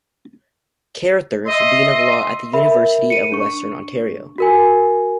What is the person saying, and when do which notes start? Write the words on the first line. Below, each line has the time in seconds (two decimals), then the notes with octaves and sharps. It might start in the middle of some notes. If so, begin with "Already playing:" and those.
Carrothers, Dean of law at the University of Western Ontario.
1.47 D#5 E5 C6
2.53 A#4 E5 B5
3.10 C#7 D#7
3.32 D4 C#6
4.38 F#4 A#4 G#5